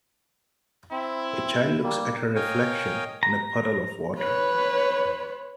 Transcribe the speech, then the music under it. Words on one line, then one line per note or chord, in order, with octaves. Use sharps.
A child looks at her reflection in a puddle of water.
C4 E4
G3 A#3
A#4 C#5 D#5 F5 G5 G#5
A#5
B4 C#5